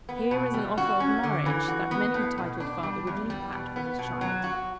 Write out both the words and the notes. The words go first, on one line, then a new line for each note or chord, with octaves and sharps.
Here is an offer of marriage, that many a titled father would leap at, for his child.
B3
B2
G3
F#4
C#4
D3
E3
F#4
B3
A2
B2
D4
G3
E2
G3
B2
B3
B2
F#3
F#4